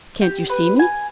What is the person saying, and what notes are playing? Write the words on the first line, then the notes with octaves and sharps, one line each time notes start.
"Can't you see me?"
G4
B4
G#5